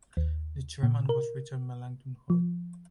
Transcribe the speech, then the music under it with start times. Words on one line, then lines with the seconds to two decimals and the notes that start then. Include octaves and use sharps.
The Chairman was Richard Melancthon Hurd.
0.17 D#2
0.83 A#2
1.09 A#4
2.30 F3